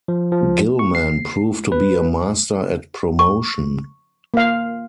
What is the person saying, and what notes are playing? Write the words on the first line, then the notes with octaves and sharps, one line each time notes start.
Gilman proved to be a master at promotion.
F3
F3
C#6
C7
B4
C#6
A#3 F5